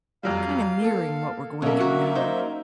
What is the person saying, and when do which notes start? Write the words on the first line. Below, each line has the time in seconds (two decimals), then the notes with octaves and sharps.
kinda mirroring what we're going through now,
0.23 F2 F#3 G3 F5
0.80 A#3 A4
1.62 B2 F#3 A#3 C#4 A4 A#4 E5
1.80 F#4
2.15 D#4 C5